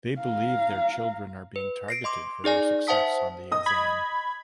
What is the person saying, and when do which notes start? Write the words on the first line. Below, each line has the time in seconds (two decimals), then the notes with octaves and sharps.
They believe their children are being targeted for their success on the exam.
0.18 F5 A#5
1.56 B4
1.88 A#6 C7 D7
2.04 D#5 C6 D6
2.44 D#4 G#4 D5 G#5 A#6
2.87 C5 E5 F#5 A5 D#6 B6
3.51 D#5 D#6
3.66 B5 G#6